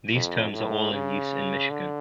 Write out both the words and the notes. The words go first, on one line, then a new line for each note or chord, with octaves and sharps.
These terms are all in use in Michigan.
F2
A2
C#3
D3